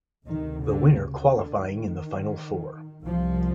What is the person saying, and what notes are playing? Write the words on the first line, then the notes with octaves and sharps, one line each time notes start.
The winner qualifying in the final four.
D2 C3 D#3
D3
C#3
D3
D#3
C2 C3 F3